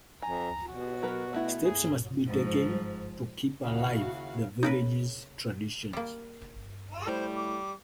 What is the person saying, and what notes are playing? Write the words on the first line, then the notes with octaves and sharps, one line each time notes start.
Steps must be taken to keep alive the village's traditions.
F2 G#5 A#5
B2 F#4
F#3 A#4 B4
A3 B3 E4
G#4
G#2 F3
D#2 C#3 E4 F#4 F5
C#3 D#4 A#4 B4
G3 A#3
A2 G3 C5
D6